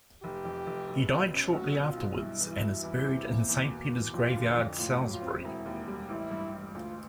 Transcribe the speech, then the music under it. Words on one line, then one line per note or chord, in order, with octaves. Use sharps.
He died shortly afterwards and is buried in Saint Peter's graveyard Salesbury.
F1 G4
F2
F1
B1
B2
C#4
B1 F#4
B2
F4
B1
G2 E4
E3
E4
G2
E2
C3
A#3
E2
B2
E2
F2 F4
D3
F2
A2 F4
F#3
F4
C4
E1 E4
D#2
G3
A1 E4
G2
A1
D2 F4